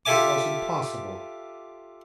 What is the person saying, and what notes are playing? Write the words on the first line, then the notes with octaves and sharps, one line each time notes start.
It was impossible.
F4 G4 A4 E5 G#5 D6